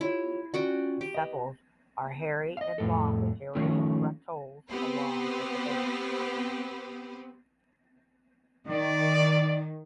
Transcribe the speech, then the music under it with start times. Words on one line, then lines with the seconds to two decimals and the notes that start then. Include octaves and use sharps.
The sepals are hairy and long with hairy bracteoles long at the base.
0.01 E4 F4 G4 C#5
0.54 C#4 F4 F#4 D5 F#5 G5
1.01 G4
1.14 B4 D#5
2.57 D#5 F5
2.78 F2 A2 A4
3.55 D#3 F3 A3 C#4
4.70 B3 C4 G4 B4 C5
8.67 D#3 D5